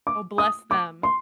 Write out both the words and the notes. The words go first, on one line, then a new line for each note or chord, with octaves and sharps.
Oh, bless them.
D6
D#6
D6
C6